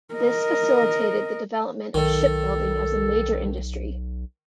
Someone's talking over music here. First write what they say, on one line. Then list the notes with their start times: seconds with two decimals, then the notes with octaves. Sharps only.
This facilitated the development of shipbuilding as a major industry.
0.14 A#4 D#5
1.94 B1 D#3 A4